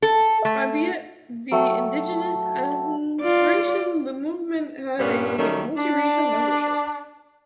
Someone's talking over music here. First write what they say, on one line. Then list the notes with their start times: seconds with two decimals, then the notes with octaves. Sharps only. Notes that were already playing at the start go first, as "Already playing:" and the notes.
Albeit of indigenist inspiration, the movement had a multirracial membership.
0.02 A4
0.45 A3
1.52 F#3 A3 A4 G5
3.21 F4 D5
4.99 G2 A#2 G3 B3 C#4
5.38 D#3 F#3 G3 A3 C#4
5.77 D4